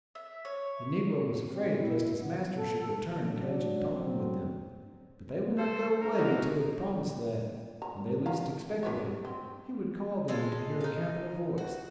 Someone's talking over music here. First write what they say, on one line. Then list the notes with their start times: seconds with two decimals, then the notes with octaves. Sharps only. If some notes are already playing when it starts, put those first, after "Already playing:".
The negro was afraid lest his master should return and catch him talking with them; but they would not go away until he had promised that, when they least expected it, he would call them to hear a capital voice.
0.15 E5
0.45 C#5
1.53 C4
1.75 E4
2.20 B3
2.55 A4
3.31 F#3 D4
3.90 F#3 C4
5.57 A4 C5
6.01 A#4
6.18 E3 D#4 F#4
7.82 A#5
8.26 F5 A#5
8.83 G4 B4 C#5
9.25 C4
10.28 G#3 F4 A4
10.80 D#4 F5
11.58 F#4